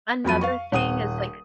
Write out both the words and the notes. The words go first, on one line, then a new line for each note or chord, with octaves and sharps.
Another thing is like
F2 F#3 B5 D#7
F5 C#6
D#1 F#5 D#6 D#7